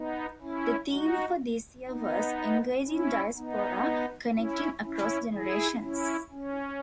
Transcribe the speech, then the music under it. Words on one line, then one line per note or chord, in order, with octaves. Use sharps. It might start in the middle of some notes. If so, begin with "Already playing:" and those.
The Theme for this year was "Engaging Diaspora: Connecting Across Generations".
Already playing: B3 D#4
C#4 E4
D#4 F#4
B3 D#4
C#4 E4
B3 D#4
C#4 E4
C#4 E4
E4 G#4
C#4 E4
C#4